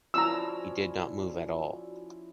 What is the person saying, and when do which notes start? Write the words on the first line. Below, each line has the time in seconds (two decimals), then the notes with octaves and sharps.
He did not move at all.
0.14 F3 C#4 E4 F#4 D5 A#5 E6